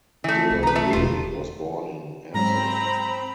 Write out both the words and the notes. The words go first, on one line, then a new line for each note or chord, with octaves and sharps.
De Levie was born in Amsterdam.
E3 A3
C2 D#3
E3 B4 A#5
A3
E1 D#2 F4
G#2 F#3 G#3 C4 A#5 B5